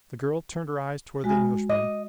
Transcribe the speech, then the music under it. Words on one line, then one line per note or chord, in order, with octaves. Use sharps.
The girl turned her eyes toward the Englishman.
G#3 F#4 G#5
D#5 D6